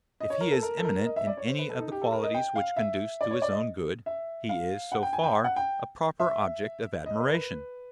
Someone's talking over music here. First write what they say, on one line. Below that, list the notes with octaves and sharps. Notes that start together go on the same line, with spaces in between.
If he is eminent in any of the qualities which conduce to his own good, he is, so far, a proper object of admiration.
D#5
C#5
A#4
A4
A#4
A4
A#4
D#5
E5
D5
C#5
C5
B4
A4
D#4
G4
A4
A#4
D#5
G5
F5
E5
D5
C#5
D5
D#5
E5
F5
F#5
G5
G#5
G5
F#5
G5
E5
D#5
B4
A#4
B4